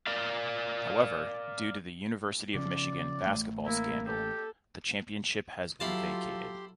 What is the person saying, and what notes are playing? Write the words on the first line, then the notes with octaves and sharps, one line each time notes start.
However, due to the University of Michigan basketball scandal the championship has been vacated.
A#4 D5 F5
C#3 F3 C#4 D5
A1 A3
A#3 E4
G4 A4
F#3 E4 F4 G4 A4 F5 A5 C6